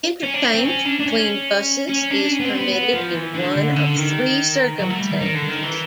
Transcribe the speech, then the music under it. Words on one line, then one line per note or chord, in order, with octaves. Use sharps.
Interchange between buses is permitted in one of three circumstances.
C#4
D4
C4
C#4
D4
D4
C#4
C#4
D4
C#4
B3
C4
B3
B3
F3
E3
D3
D3
C#3
D3
D#3
F#3
A3
G3
D#3
D#3
D3
D#3
E3